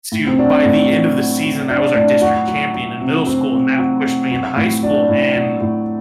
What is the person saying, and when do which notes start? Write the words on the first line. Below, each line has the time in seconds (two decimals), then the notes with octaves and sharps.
to by the end of the season, I was our district champion in middle school, and that pushed me into high school and
0.12 A2
0.27 C4
0.38 F#3 D4
0.65 A2
0.90 F#3
1.17 F#3
1.43 F#3
1.69 F#3 D4
1.95 A2 D4
2.21 F#3 F#4
2.47 F#3
2.74 F#3
3.00 C3
3.26 F#3 C4
3.52 C3
3.78 F#3
4.05 F#3
4.31 F#3
4.56 A2
4.82 F#3 D4
5.09 A2
5.35 F#3
5.61 A2